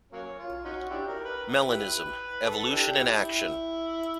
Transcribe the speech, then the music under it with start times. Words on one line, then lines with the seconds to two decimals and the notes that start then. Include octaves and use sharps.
Melanism, Evolution in Action.
0.12 F#3 A#3 C#4
0.39 F4
0.64 C#4 D#4 F#4
0.90 D4 E4 G4
1.08 A#4
1.25 B4
1.68 E4 G4 B4
2.45 A4
2.72 D4 E4 G4
2.97 E4